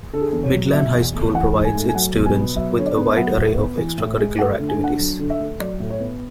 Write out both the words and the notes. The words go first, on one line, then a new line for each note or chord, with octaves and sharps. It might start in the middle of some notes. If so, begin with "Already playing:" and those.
Midland High School provides its students with a wide array of extracurricular activities.
D3 A4
G#4
E2 A4
C#5
F#3
B2 E5
E2
A3
E3 F#5
G#2
G#5
A3
G#5
F#3 F#5
B2
G#5
B3
F#3 E5
D3 C#5
D5
B3
E5
F#3 F#5
A2
B3
E3
A2
G#3
A3 F#5
D3
G#5
D4
F#5
F#3
D3
E5
A3
F#3 D5
A2
C#5
B3